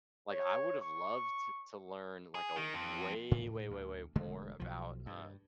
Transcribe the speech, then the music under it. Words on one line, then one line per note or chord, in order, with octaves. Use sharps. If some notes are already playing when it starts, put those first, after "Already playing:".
like, I would have loved to to learn, like, a way, way, way, way more about, um
C#5
C#6
G#4
D#3
F2
A2
D2
E1 D3 G#3 A3
B1 F3
G2